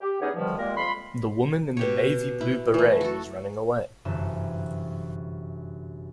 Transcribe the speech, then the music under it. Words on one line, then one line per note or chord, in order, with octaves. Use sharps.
The woman in the navy blue beret was running away.
G4
E2 B3 C#4 D#4 G#4 C#5
G2 B2 D3 D#3 F3 G3
A#2 G3 G#3 A#3 A#4
F2 B5 C6
B2 G4 C#5
E4
E3 A3
F#4 A4
G1 F#2 C3 E3 E5 E7